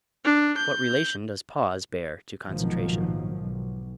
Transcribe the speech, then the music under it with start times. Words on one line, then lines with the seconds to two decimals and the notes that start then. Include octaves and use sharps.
What relation does pause bear to concentration?
0.25 D4
0.58 G6
2.49 A#1 G#2 B2 D#3 F3 F#3
3.37 B1